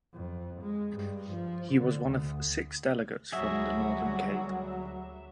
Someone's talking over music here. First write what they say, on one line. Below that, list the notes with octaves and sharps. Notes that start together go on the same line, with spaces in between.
He was one of six delegates from the Northern Cape.
F2
G#3
G2
F3
D3
D2
D2 F#3 G3 A#3 F#4 G#4 E5